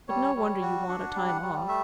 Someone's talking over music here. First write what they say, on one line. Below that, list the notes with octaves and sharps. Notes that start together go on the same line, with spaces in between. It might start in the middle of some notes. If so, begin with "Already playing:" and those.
But no wonder you want a time off.
G3 C#5
G3
F#4
D4 F#5
G3
F#5
G3
A3 E5